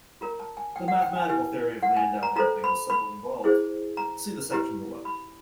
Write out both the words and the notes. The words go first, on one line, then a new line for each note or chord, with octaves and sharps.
The mathematical theory of Landau damping is somewhat involved-see the section below.
F4 A#4 C#5 A#5
A5
G#5
G5
F#5
G5
G#5
E4 G4 B4 G#5
F#5
G#5
A#5
F4 A4 C5 A#5
B5
B5
E4 G#4 C5
A#5
E4 G4 B4 A#5
B5